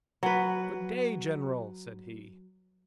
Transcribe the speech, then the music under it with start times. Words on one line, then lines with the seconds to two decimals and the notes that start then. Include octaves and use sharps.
"Good day, General!" said he.
0.23 F#3 B4